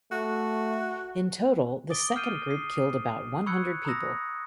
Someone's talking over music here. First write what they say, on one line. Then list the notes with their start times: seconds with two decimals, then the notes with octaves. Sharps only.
In total this second group killed about one hundred people.
0.12 A3 F#4
1.90 D6 D#6 A6 D7 G7
2.16 F6 G6 C7 D7 D#7 G7
2.48 D#6 C7
3.46 B5 C#6 E6 F#6 G#6 C#7
3.85 A#5 B5 D#6 E6 A#6